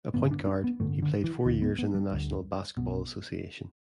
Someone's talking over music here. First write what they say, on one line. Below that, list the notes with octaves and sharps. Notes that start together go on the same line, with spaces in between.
A point guard, he played four years in the National Basketball Association.
A1 G2 D3 B3
D4
D4
B3
A1 G2 D3 A3
D3
E3
D2 D3 E3
B3
B3
G3
D2 D3
B1 B2